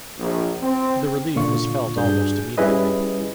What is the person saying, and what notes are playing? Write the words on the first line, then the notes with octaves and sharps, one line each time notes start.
The relief was felt almost immediately.
A#1
C4
A#2 D3 F4 C#6
G2 D4 F#4 G#4 G6
G3 C#4 E4 G#4 B4 D#5